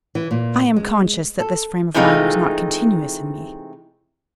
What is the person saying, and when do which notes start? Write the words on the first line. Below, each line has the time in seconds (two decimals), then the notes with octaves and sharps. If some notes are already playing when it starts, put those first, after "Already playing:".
I am conscious that this frame of mind was not continuous in me.
0.15 E3
0.31 A#2
0.76 G#3
1.40 A4
1.94 C3 E3 G#3 A3 D#4 F4